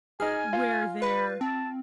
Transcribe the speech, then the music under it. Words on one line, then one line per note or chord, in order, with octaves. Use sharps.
where their
D#4 G#4 G#5 F6
F4
B4 B5
C4 A5